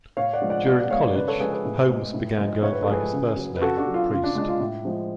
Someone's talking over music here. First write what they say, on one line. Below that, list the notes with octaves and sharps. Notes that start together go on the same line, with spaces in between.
During college, Holmes began going by his first name, Priest.
A2 C#5 F5
D5 F#5
F3 G#3
D5 F#5
B2 D5 F#5
D5 F#5
G#3 C#5 F5
B4 D5
C#3 B4 D5
A4 C#5
F3 G#3 G#4 B4
G#4 B4
A2
G#3
A2
F3 G#3
A2 C#5
B4
A4
F3 G#3 G#4 B4
C#3
F#3
B4
C#3 F#4 A4
D4 F#4
F#3
F4
C#3 F4
D4
G#3 D4
F4
A2
F3 G#3